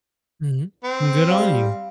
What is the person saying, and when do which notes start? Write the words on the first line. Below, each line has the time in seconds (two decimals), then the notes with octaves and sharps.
Mhm. Good on you.
0.84 C4
1.31 G3 F5